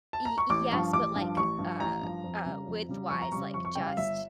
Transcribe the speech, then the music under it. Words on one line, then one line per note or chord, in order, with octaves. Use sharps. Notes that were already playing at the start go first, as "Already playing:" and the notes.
Y y yes, but, like, uh uh, width-wise, like, just
A5
A#5
C#6
A1 D6
G2 F3 C#6
A1 D6
G2 F3
A1 C#6
G2 F3
A1 A#5
G2 F3
F2
C#3 G3
F2
C#3 G3
F2 C#6
A#5
C#3 G3 C#6
F2 C#6
C#6
C#3 G3 G5
F5
G1 E5